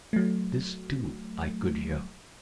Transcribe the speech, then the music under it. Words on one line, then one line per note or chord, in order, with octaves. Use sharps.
This, too, I could hear.
F#3 A3